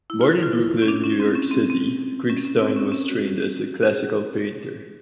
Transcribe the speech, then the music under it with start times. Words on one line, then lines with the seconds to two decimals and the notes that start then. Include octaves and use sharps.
Born in Brooklyn, New York City, Krigstein was trained as a classical painter.
0.10 E4
0.21 F4
0.31 E4
0.43 F4
0.53 E4
0.82 C#4
0.88 D4
1.04 C#4
1.20 C4
1.35 C#4
1.51 C4
1.70 C4
2.30 C#4
2.45 C#4
2.61 C4
2.76 C#4
2.92 C#4
3.08 F#4
3.87 G#4